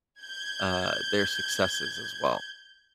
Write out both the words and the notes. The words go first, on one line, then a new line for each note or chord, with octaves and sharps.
uh, their successes as well.
G6 G#6